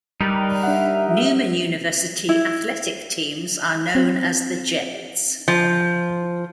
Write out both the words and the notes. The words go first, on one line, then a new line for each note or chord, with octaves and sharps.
Newman University athletic teams are known as the Jets.
G3 D#4 A#4 B4
D4 E5 F#5
E4
C4
F3